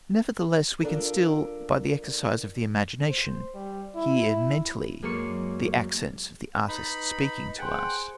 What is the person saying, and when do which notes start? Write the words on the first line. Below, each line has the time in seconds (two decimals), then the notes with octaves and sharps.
Nevertheless, we can still, by the exercise of the imagination, hear mentally the accents of the artist speaking to us.
0.82 F3 D4 A4 A#4
3.09 C5
3.55 G3
3.95 E4
5.02 F#2 G#3 A#3 D5 C#6 C#7
6.68 D#4 B4 B5
7.58 G#4 C5 F#5 G5